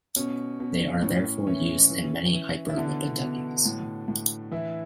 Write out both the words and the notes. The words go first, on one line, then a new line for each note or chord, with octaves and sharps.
They are therefore used in many hyperlipidemias.
B2 C#4
B2
A2 C#4
E3 C#4
E3
E3
E4
B2 D3 D4
B2
A2
A2
E3 E4